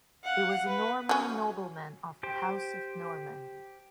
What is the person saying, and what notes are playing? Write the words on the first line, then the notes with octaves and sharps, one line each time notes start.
He was a Norman nobleman of the House of Normandy.
F5 F#5
B4
F#3 C#4
G4 C5 G5